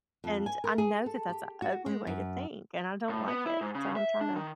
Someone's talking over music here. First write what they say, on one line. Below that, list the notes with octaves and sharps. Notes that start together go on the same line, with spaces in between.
And I know that that's a ugly way to think, and I don't like it, so I'm trying to
F2
G#5
A#4
G#4
A4
G4
F#4
G#3
F#2
A2
B3
E4
G#2
C#3
E5
D4
D#3